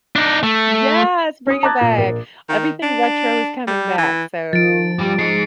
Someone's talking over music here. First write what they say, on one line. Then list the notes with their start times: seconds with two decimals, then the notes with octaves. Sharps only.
Yes, bring it back. Everything retro is coming back, so
0.16 D4 D#4
0.43 A3
1.47 C#4 D#6
1.63 A5 A#5 D6 F#6 G#6 A6
1.81 A#2
1.97 A#1 A#4
2.49 D#3
2.83 D4
3.67 G3
3.98 E3
4.53 F3 A6 D7
4.99 G2 G3
5.19 G#3 D#4 C7 C#7